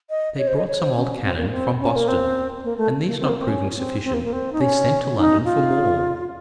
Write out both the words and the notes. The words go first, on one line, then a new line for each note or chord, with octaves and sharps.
They brought some old cannon from Boston, and these not proving sufficient, they sent to London for more.
D#5
C#5
C5
D#5
C#5
C5
C#4
C4
A#3
C4
C#4
A#3
C4
A#3
A3
A#3
C4
A#3
C4
C#4
C4
C4
A#3
A#3
C4
D#4
C#4
D#4
F4